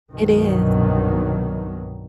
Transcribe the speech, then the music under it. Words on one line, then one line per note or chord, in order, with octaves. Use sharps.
It is.
C2 G2 B2 D#3 F#3